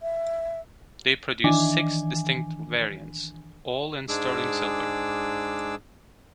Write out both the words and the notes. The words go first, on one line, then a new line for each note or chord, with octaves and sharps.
They produced six distinct variants, all in sterling silver.
E5
D#3 E3 D4 G#5
G#2 G#3 D4 G#4 D6 E6